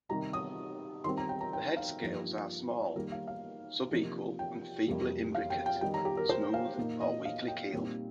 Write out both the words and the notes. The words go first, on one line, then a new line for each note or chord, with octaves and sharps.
The head scales are small, subequal and feebly imbricate, smooth or weakly keeled.
C3 D#3 G3 D#4 A#5
D#6
D#3 G3 C4 C6
A#5
G5
A#5
G5
F5
G2 F3 A#3 D#4 A#4
D#3 G3 A#3 A#4
F5
F5
C3 F3 A#3 D#4
G5
F2 C3 G3 A#3
F5
G5
G5
D#3 G3 D#4 G5
A#5
G4
A#4
C5
F5
A#2 A#3 D#4
D#5
F5
G5
A#2 G3 C4 D#4